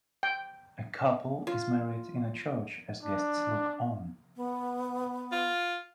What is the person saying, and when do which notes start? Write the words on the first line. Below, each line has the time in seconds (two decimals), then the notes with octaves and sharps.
A couple is married in a church as guests look on.
0.23 G5
1.47 F4
3.03 D4
4.36 B3
5.32 F4